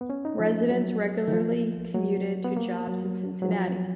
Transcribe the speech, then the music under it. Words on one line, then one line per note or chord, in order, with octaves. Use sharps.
Residents regularly commuted to jobs in Cincinnati.
B3
C#4
D#4
F3
F#3
D#3
F3
F#3
B3
A#3
F#3
F#3
F3